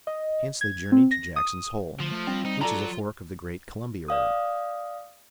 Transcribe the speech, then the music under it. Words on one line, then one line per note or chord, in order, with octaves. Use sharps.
Hence they journeyed to Jackson's Hole, which is a fork of the Great Columbia River.
D#5
G#6
C4
A#6
D#6
D2 F3
A3 A5
G3 C4
D#4
F#3 F4 A4 D5 A#5
D5 F5 D#6